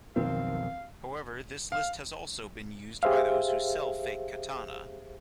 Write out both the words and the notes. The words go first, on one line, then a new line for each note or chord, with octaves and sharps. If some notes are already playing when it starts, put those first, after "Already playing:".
However, this list has also been used by those who sell fake katana.
B1 F2 B2 D#3 C4 A#4 F5
F5
G4 G#4 C5 E5 F5